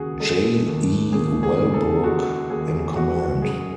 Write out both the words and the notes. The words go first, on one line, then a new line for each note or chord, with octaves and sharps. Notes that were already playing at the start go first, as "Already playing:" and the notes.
J. E. Wellbrook in command.
Already playing: D#2 C#3 F#4 G#4
G#3 A4
D#2
D#2 G#4
G#4
C#3
A4
G#3 F#4
D#2 G#4
G#3 F#4
F#2 G#4